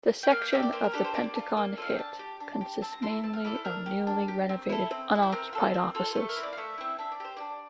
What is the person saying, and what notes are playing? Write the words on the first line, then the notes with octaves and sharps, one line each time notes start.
The section of the Pentagon hit consists mainly of newly renovated, unoccupied offices.
G5
A#3 F5
G5
D4 G4 E5
D5
A#3 C5
A#4
D4 G4 A4
C5
A#3 D5
A4
F4
A#3
F4 A4 F5
G5
D4 A5
G4
D4
G4
C4 A5
A#5
E4 A4 C6
A#5
C4 A5
F5
E4 A4 D5
C5
D4 A#4
G4
D4
G4
C4
E4 A4
C4
E4 A4
C5
C4 A#4
F4 A4
C4
F4 A4
A3 A4
A#4
C4 E4
D5
F5
A3 E5
C4 E4
D4 E5
D5
G4 C5
D4 D5